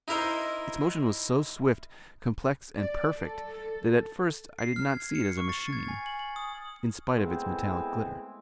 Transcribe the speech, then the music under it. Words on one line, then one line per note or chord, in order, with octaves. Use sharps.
Its motion was so swift, complex, and perfect that at first I did not see it as a machine, in spite of its metallic glitter.
D#4 E4 A#4 C5
D5
A4
C7
F6
G#6
C#7
C#6
A6
G#6
G#5
F#7
F#7
D#6
G#3 A3 B3 C4 E4 G#4